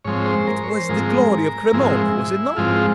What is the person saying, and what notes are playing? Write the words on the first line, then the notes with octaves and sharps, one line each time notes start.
It was the glory of Cremona, was it not?
G#2 F3 G#3 C4 C#5
C5
A#4
C#5
C5
G#2 F3 G#3 C4 A#4
G#2 F3 G#3 C4 E4
G#2 F3 G#3 C4 F4